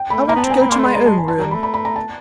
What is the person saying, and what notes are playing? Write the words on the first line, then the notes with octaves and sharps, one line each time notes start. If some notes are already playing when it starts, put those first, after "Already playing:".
"I want to go to my own room."
Already playing: G5
A3 B5
A#3 A#5
B3
A5
C4
B3 G#5
C4 B5
A#3
C6
A3
G#3 B5
A#5
A5
G#5
A5
F#3
A#5
G3
B5
A3
B5
B5
A#5
A5